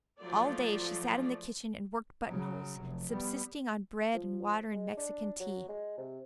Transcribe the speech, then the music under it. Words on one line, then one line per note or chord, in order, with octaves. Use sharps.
All day she sat in the kitchen and worked buttonholes, subsisting on bread and water and Mexican Tea.
F3 F#3 A3 F4 D5
C#3 F#3
F1
G3 B3
F3
G#3
D4
F#3
G#3
C3